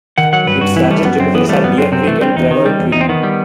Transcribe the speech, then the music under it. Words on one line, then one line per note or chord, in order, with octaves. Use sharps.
Its largest tributaries are Deer Creek and Gravois Creek.
D#3 F#5
F#3 F#5
G2 B4
G2 F#4
E3 E4
G3 A3
F#2 B3
F#2 C4
E3 B3
G3 A3
F#2 B3
F#2 C4
C3 C4
E3 A3
G3 C4
E2 D#4
D#3
G3
E2
E2 D#4
C4
D#3 B3
G3